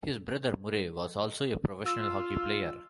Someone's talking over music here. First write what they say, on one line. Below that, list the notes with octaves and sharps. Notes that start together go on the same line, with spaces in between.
His brother Murray was also a professional hockey player.
F4 E6